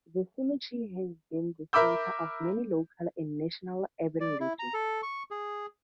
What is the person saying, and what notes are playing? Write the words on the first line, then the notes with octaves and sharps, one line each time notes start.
The cemetery has been the center of many local and national urban legends.
A#4 E5 B5 D6 E6 G6
D5
E4
A#5
A4
C#6
G#4